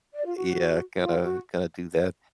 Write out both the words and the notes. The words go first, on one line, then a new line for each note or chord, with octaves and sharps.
yeah, gotta gotta do that.
D5
F4
F#4
F4
F#4